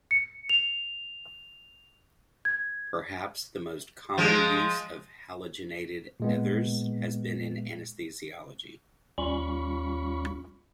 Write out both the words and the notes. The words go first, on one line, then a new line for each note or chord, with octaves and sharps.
Perhaps the most common use of halogenated ethers has been in anesthesiology.
C#7
F7
G#6
F3 G#3
A#2 G#3 B3
D#2 G3 C#4 F4 B5 C#6